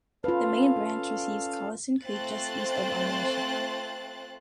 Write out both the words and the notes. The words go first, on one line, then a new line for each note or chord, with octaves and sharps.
The main branch receives Collison Creek just east of Honor, Michigan.
C#4 F4 A4 B4 F5
A3 C4 F4 C5 F#6 A6